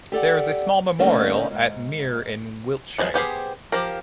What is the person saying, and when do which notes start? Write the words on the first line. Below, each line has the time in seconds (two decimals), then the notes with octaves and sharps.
There is a small memorial at Mere in Wiltshire.
0.12 G4 A4 D5 F#5
0.99 D3 A3 A#3 C4 C#4 D#4
1.51 G#2
2.98 F3 F#3 G#3 B3
3.14 B3 G4 G#4 C5
3.72 F3 G4 A#4